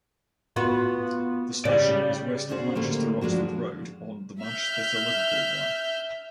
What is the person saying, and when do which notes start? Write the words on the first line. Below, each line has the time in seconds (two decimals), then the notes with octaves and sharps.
The station is west of Manchester Oxford Road on the Manchester to Liverpool Line.
0.56 B3 F4 F#4
1.65 C#3 G4 D5
2.49 C#4 D4 F#4 G#4 C5
2.75 A2 D3 G3 A#3
3.21 F3 G#3 D4 F#4
4.42 E5 F6 G6